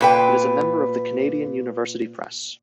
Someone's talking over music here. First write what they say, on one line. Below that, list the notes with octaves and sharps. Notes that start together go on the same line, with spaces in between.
It is a member of the Canadian University Press.
A#2 B4 G5